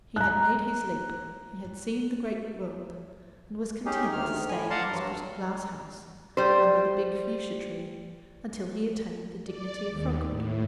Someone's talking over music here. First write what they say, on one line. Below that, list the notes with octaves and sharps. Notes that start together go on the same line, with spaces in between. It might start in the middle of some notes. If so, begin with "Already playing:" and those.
He had made his leap, he had seen the great world, and was content to stay in his pretty glass house under the big fuchsia tree until he attained the dignity of froghood.
A#5 F#6
C#4 D#4 G4 G#4
D2 D#3 F6
A2 G#5
D5 F5 F#5 A5 A#5 C6
G2 F#3
G3 C5
D5
D#2
A2